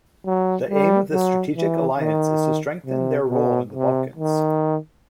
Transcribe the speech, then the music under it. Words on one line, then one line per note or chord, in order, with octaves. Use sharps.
The aim of this strategic alliance is to strengthen their role in the Balkans.
F#3
G3
F#3
E3
D#3
C3
B2
C3
D#3